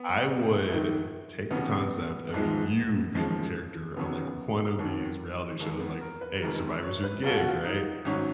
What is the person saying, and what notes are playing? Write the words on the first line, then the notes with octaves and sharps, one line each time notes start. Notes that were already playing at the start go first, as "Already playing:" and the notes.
I would take the concept of you being a character on, like, one of these reality shows, like Hey, Survivor's your gig, right?
Already playing: B3
A#1 G#2 D#3
F1 D#2 C#3 B3
A#1 G#2 F3 G#3
D#2 C#3 F3 G#3
F1 D#2 C#3 F#3 B3
D#2 D#3 F#3
D#2 D#3 G#3 A#3
B3
A#4
B4
F1 F2 D#3 G#3 A#4
C#5
B4
B1 B2 F#3 F4
F#4
F4
D#4
G#1 G#2 F#3 C#4